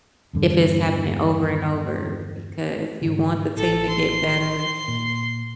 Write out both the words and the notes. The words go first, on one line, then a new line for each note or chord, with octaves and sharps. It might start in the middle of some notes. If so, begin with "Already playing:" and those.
if it's happening over and over, because you want the team to get better,
E2 G2 D3
G#2 D3
A1 A4
C6
A#2